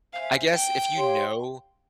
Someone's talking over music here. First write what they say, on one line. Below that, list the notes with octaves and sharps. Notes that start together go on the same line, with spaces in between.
I guess if you know
C5 E5 F5 G#5
G5
G4 C#5 F5 C6